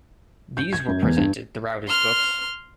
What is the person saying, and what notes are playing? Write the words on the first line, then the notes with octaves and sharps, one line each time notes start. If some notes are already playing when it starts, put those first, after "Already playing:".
These were presented throughout his books.
G6
G#6
F#2
E2
G2
C6 F6